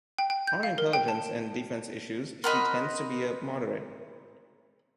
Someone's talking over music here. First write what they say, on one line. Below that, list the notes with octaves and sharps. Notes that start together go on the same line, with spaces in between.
On intelligence and defense issues, she tends to be a moderate.
G5
G5
G6
F5
A#4
G5
A5
A#4 C5 D#5 F#5 B5